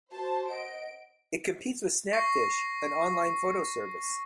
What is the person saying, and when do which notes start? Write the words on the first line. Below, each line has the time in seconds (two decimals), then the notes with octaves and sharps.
It competes with Snapfish, an online photo service.
0.11 F#4 C5 A5
0.49 D#5 F#5 D7
2.13 C#6 A#6 C7